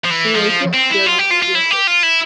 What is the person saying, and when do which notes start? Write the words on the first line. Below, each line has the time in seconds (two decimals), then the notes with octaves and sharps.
She also appeared on radio shows.
0.04 F3
0.10 E3
0.35 F3
0.74 C4
0.91 E4
1.07 F4
1.19 G4
1.31 F4
1.42 F4
1.55 E4
1.71 G4
1.87 F4
2.03 E4